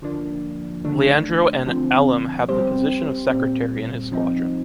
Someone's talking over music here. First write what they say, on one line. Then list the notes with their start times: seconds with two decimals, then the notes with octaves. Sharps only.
Leandro N. Alem had the position of secretary in his squadron.
0.02 D3 F3 A#3 D4
0.85 D3 A3 D4
1.66 D3 F3 C4
2.48 G3 C4 G4 C5
3.30 A#2 G3 C4
4.12 F3 C4 D#4